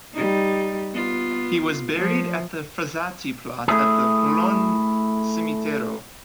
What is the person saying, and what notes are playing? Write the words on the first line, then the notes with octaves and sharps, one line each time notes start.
He was buried in the Frassati plot at the Pollone Cimitero.
G3 D#4
B3 F4
F3
A3 E4 G#4